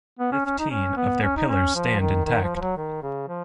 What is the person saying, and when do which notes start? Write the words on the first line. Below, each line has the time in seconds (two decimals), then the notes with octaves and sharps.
Fifteen of their pillars stand intact.
0.19 B3
0.32 C#4
0.46 C#4
0.58 D#4
0.70 C#4
0.97 B3
1.23 C#4
1.36 D#4
1.49 C#4
1.75 F3
2.00 D#3
2.25 D#3
2.43 F3
2.56 F3
2.60 F#3
2.77 D#3
3.02 C#3
3.28 F3